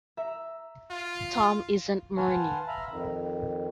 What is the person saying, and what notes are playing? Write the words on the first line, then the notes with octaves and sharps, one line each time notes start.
Tom isn't mourning.
E5 A#5
F4
B4 F5 F#5 G#5 A5 C6
E5 F5 A#5 B5
F2 D#3